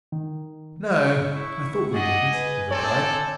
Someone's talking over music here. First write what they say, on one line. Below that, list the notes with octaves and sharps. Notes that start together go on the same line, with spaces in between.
"No, I thought you didn't," he replied.
D#3
C#6
E4
G#4 D5 D#5 F#5
B4 G#5
C4 A4 C#5 D5